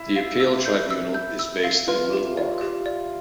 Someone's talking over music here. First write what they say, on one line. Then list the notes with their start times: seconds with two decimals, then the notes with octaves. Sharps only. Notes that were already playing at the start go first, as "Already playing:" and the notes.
The Appeal Tribunal is based in Little Rock.
Already playing: E4
0.16 F5
0.40 E6
0.65 G6
0.90 E6
1.14 G6
1.39 E6
1.64 F5
1.88 F4 B4
2.13 G4
2.37 D5
2.61 G4
2.86 D5